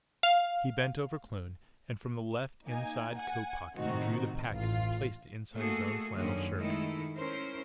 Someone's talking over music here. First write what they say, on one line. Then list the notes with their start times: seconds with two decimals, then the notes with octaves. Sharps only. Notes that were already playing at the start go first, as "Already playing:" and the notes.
He bent over Kloon and, from the left inside coat pocket, he drew the packet and placed it inside his own flannel shirt.
0.23 F5
2.66 A#3 D#4 G#5
3.16 F#5 G#5
3.75 A2 C3 D#3 C4 D#4 F#4
4.52 A1 F4
5.55 A3 A#3 F#4 G#4 A4
6.15 F#2 D3 D#3 A#3 C#4 G#4
6.56 D#3 G#3 A3 D#4 E4 A4
7.17 C#4 E4 A#4 C5